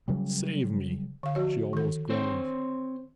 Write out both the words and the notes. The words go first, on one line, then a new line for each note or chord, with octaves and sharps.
"Save me!" she almost groaned.
C#3 F#3 G3
D3 F5
F3 F#4 C#5
D#3 A4
C4 C5 C#5